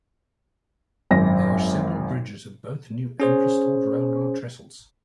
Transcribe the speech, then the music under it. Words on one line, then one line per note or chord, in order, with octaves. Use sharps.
There are several bridges and both new and restored railroad trestles.
G#1 F#2 A#6
C#4 G#4 C5